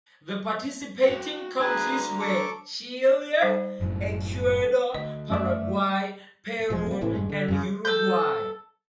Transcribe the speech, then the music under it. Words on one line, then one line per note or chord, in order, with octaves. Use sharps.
The participating countries were Chile, Ecuador, Paraguay, Peru, and Uruguay.
F#4 G5
D4 F#4 G#4 B4 G#5 A#5
A4 C#6 D6
G3 D#4 C5
F#1 F#2 A2
D2 D#5
F#2 A3 D5 E5
E1 F3 G#3
C3 G3
A1 A2 C3 E3
D#1 G2 G#3
D3
F#2 C#3
A4 G6